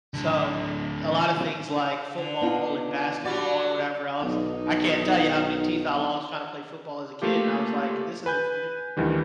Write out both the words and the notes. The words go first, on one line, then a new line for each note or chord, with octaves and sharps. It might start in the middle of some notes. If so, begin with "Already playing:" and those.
so, a lot of things like football and basketball or whatever else I can't tell you how many teeth I lost trying to play football as a kid, and I was like, "This isn't for me."
A2 D3
D3
B3 D#4 F4
F#3 G3 F#4 D5
B1 D#4
A3 A#3 F4 G4
B4 G#5 G6
D2 D#3 E3 G3